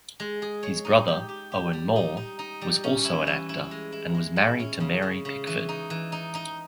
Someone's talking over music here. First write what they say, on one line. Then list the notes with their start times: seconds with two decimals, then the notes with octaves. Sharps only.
His brother, Owen Moore, was also an actor, and was married to Mary Pickford.
0.20 G#3
0.42 G#4
0.63 C#5
0.85 D#4
1.08 G4
1.29 G4
1.52 G4
1.73 G3
1.96 D#4
2.17 D#4
2.39 D#4
2.61 G3
2.84 C#4
3.05 E4
3.27 E3
3.49 E4
3.71 G#3
3.92 E4
4.14 G#3
4.36 E4
4.60 C#4
4.80 C#3
5.02 C#3
5.25 C#3
5.47 E3
5.69 D#4
5.90 E3
6.12 D#4
6.35 D#4